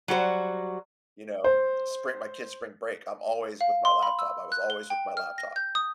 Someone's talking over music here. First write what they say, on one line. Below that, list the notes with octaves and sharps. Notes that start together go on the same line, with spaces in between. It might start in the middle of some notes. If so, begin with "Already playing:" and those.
you know? Spring my kids' spring break I'm always with my laptop I was always with my laptop.
F#3 G3 F#4 A#4 C5
C5
F5
C6
B5
E6
F#6
G7
G5
F6
A#6
G6
D#6